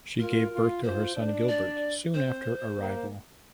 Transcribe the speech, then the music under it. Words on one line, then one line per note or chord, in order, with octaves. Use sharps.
She gave birth to her son Gilbert soon after arrival.
F4 A#4
F4
F4 C5
D4
D5
C4 C5
A#3